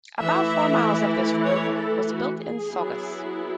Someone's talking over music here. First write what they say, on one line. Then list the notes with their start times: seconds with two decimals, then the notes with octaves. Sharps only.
About four miles of this road was built in Saugus.
0.19 E3 A3 E4 E5
1.44 C#5
1.75 A4
2.06 F#4
2.37 G#4
2.68 F#3 B3 E4